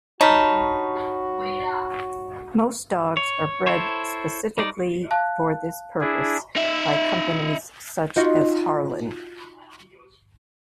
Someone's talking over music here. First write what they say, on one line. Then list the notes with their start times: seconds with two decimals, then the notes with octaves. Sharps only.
Most dogs are bred specifically for this purpose, by companies such as Harlan.
0.21 D#4 F#4 C#5 A5 B5 F6
3.17 C#5
3.67 E4 A4 C5 C#5
4.58 G3 D#4 D5
5.11 F5 A5 F#6
6.01 D4 E4 G#4
6.57 D#4 E5
8.16 D#4 F4 F#4